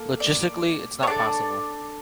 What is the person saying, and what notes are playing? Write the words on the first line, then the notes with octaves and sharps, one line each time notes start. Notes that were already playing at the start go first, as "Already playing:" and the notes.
Logistically it's not possible.
Already playing: A#3 A4
D5
C#5
D4 F#4 A4 D5